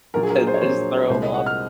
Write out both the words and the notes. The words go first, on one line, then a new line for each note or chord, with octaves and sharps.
and just throw 'em off.
A#1 A#2 F#3 A#3 A#4
G#4
A#4
C5
C#5
A#1 A#2 F#3 A#3 C5
C2 A#2 G#3 C5
D#5
F#5
F6